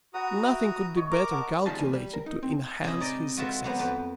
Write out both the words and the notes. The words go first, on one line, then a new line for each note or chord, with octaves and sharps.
Nothing could be better calculated to enhance his success.
F#4 F#5 A#5 B5 D#6
E5 G5
C#5 D#5 C#6
A#4 D#5 A#5 D6
F#5 A5 D#6
E2 D#3 G3 F4 D#5 A5
A2 E3 A#3 G#5
G3
A#4
D#4
C4
C3 C#4 G#4 D#5 B5
D#4 D5 D#5
G#3 F4 F#4 A4 B4 E5
F#3 A#3 B3 C5
F2 B4